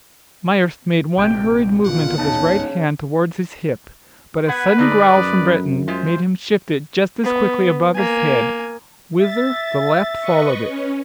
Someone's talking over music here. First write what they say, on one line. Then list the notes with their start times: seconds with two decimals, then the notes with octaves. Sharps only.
Myerst made one hurried movement of his right hand towards his hip, but a sudden growl from Breton made him shift it just as quickly above his head, whither the left followed it.
1.18 A#1 C3 G5 D6
1.85 A#1 B2 F4 F#5
2.18 D#1 A1 C#3 B3 D#4 A5
4.49 B3 B4 F#5 G#6
4.79 D3 D#4 G#4 D5
5.16 F#2
5.88 G#3 F4 C5 E5
7.24 B3
7.95 A#3 G#5
9.19 E5 A6
10.21 B4 D#5 C#6
10.66 C#4